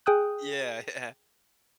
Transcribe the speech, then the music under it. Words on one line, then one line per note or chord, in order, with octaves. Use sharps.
Yeah, yeah.
G#4 G5 D#6 F#6